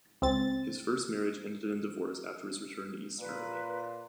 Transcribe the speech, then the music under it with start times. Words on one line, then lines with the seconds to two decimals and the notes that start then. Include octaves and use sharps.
His first marriage ended in divorce after his return to East Germany.
0.22 C#2 C4 A6
3.20 A#2 B4